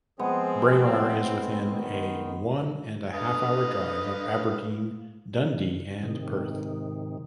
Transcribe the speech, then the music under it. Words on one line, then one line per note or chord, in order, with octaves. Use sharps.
Braemar is within a one-and-a-half-hour drive of Aberdeen, Dundee, and Perth.
F3 G#3 B3 C4 G#4
D#3
D3 B4 D#5 F5
G#2 C3 D#3